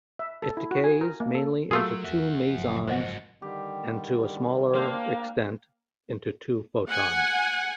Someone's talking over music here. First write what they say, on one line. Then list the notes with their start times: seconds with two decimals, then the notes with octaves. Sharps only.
It decays mainly into two mesons, and to a smaller extent into two photons.
0.19 E5
0.42 A4
0.57 E4
0.71 F#4
0.84 G#5
1.01 A#4
1.20 A#3
1.35 A4
1.71 F#3 A3 F4 F#4 G#4 A#4 E6
2.04 E2 E5 F#5
2.49 F#1 F3
2.87 G#2 F#4 C5 D#5 F#5
3.42 D3 D#3 G3 G4
4.75 A#3 D4 C5 F5 G5
6.89 F#5 G#5